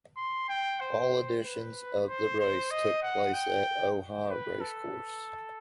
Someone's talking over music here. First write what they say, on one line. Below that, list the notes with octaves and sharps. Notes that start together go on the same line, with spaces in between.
All editions of the race took place at Ohi Racecourse.
C6
G5
C5
B4
C5
C5
D#5
F#5
G5
B4
A4